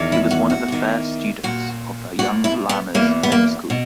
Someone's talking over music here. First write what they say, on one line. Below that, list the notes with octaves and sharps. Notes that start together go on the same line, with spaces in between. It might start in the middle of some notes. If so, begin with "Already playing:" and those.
He was one of the first students of the Young Lamas Home School.
Already playing: E2 D#3
E4
F#4
F#4
E2 D#3
A#2 F#4
A#2 F#4
E4
B3
E2 B2 A#3
B3
A#3
B2